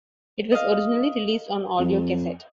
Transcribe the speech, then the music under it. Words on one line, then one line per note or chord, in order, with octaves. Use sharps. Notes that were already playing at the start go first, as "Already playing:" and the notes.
It was originally released on audio cassette.
D#5 F5
F2